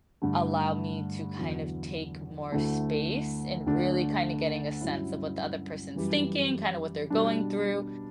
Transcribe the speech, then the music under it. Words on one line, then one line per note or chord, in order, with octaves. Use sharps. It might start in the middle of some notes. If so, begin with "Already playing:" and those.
allow me to kind of take more space and really kind of getting a sense of what the other person's thinking, kind of what they're going through.
G2 D3 A3
E2 D3 F#3 B3 E4
D2 D3 A3 E4
D2 D3 A3 D4
G2 F#3 C#4 E4
F#2 E3 G3
B2 G3 D4